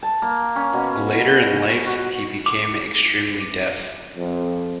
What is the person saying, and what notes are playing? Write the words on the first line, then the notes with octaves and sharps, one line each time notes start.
Later in life he became extremely deaf.
A5
A#3
C#4
B2
F#4
D6
F2